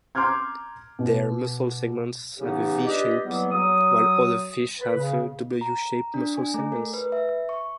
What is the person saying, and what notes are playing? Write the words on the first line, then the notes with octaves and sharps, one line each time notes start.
Their muscle segments have a "V-shape", while other fish have "W-shaped" muscle segments.
A#5 C6 D6 F6 G6 G#6
B2
C#3 E3 B3 D#4 G4
D4 F4 G4 B4 D#5
E2 F#3 G3 A#3 B3
F#3 D#6
B4
C#3
A#5
D4
G#5
A3
A#4
B4
E5
C#6